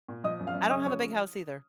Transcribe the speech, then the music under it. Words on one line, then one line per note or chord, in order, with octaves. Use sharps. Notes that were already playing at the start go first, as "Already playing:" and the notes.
I don't have a big house either.
A#2
F3 D#5 D#6
F#2
F5 F6
F#2
C#3 D#5 D#6
F3 C#5 C#6